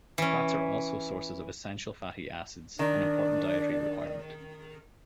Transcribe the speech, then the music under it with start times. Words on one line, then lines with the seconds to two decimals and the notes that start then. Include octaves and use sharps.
Fats are also sources of essential fatty acids, an important dietary requirement.
0.18 E3 C#4
2.79 D#3 D4 D5